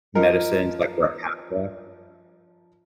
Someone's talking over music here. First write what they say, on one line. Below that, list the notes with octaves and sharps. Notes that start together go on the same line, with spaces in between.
medicines like Repatha
F3 D#4 A#4